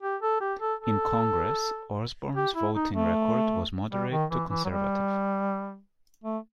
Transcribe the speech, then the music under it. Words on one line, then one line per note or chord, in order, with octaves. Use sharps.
In Congress, Osborne's voting record was moderate to conservative.
G4
A4
G4
A4
A4
G4
E4
D#4
A3
G3
D#3
E3
E3
F#3
G3
A3